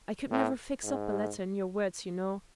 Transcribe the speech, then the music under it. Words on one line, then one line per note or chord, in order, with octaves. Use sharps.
I could never fix up a letter in your words, you know.
A2
G#2